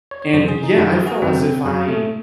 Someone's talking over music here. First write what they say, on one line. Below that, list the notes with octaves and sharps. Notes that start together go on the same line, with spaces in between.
And, yeah, I felt as if I
C#5
C#5
F#2 C#3 E3 C5
G#4
D#4
F#2 D#3 F#3 F#4
G#4
F#4
F#2 D#3 F#3 C4
F#2 C#3 F#3 C#4
A3